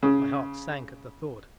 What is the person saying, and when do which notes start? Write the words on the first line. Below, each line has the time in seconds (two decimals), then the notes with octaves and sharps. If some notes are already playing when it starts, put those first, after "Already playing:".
My heart sank at the thought.
0.03 C#3